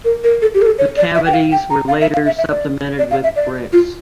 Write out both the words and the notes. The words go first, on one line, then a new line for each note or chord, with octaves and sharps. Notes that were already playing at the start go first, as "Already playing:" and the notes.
The cavities were later supplemented with bricks.
A#4
A#4
A4
G4
A#4
A4
C#5
D5
E5
G5
F5
G5
A#5
F5
E5
F5
E5
E5
D5
D5
F5
E5
D5
F4